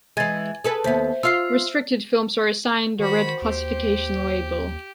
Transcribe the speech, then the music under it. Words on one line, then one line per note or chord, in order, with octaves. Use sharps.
Restricted films are assigned a red classification label.
E3 G#3 G#5 G#6 A6
G#4 A4 B4
D#2 B3 C5 E5
F4 F5 E6 F6 C7
D#3 F#4 C5 B5
D#2 G4